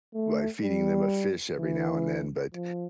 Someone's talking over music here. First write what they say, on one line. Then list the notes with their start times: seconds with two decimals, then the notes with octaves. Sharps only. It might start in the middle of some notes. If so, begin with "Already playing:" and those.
by feeding them a fish every now and then, but
0.14 A3
0.63 G3
1.58 E3
2.54 F3